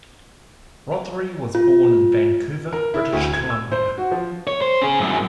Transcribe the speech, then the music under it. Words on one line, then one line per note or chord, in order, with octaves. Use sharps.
Rothery was born in Vancouver, British Columbia.
F4
A#4
E4
D2
G#6
E6
C5
F#4
F3
C#5
C5
C#4 G#4
F#2 A2